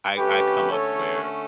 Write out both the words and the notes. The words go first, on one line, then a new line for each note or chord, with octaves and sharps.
I I come up where
D3 A3 C#4 G4 B4
A4 C#5